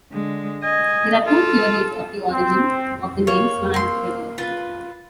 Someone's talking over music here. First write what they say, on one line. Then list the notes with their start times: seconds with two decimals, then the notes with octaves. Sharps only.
There are two theories of the origin of the name "Swan River".
0.12 D3 G#3
0.63 D#5 G#5
1.27 F4 A4
2.30 C4
3.27 A#3 C#5
3.74 C4 C6
4.38 F4 B4